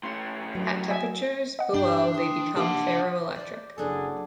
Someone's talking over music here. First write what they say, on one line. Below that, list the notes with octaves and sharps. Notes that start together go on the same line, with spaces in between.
At temperatures below they become ferroelectric.
A2 C#4 C6
F#3 B4
D#5 E5 G#5
D#5 F#5
G2 D4 G4 G5
G5 C6 D#6
A#3 D4 D#4 G4 F#5 A5 C6 D6
C5 D5
F#1 F#2 D4 G#4 A4